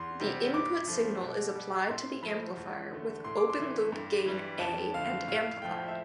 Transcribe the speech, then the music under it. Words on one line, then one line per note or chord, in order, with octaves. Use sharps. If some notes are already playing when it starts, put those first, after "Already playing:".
The input signal is applied to the amplifier with open-loop gain "A" and amplified.
Already playing: E2 C6
C3 G3
G2 D6
F3 A3
B2
G3
A2 C6
F3 A3 B5
E2
D3 A3
A2 C6
D6
C6
E3 A3
G2
E3 G3
F2 A5
D3 A3 F5
A2 F5
F3 A3 G5
E5